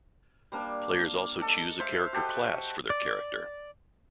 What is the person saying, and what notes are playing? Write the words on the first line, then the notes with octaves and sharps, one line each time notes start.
Players also choose a character class for their character.
G3 A#3 D4
A4 D#5
C5 E5 F5 C6
F#4 G4 A4 D#5
D5